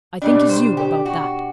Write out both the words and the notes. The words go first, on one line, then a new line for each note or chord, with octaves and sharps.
"I think as you about that."
B2 G3 D4 D5
C5
G4
F#4